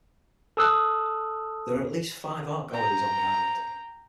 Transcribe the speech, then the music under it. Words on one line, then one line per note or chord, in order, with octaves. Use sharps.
There are at least five art galleries on the island.
A4 A5 D#6 E6 F#6
G5 A#5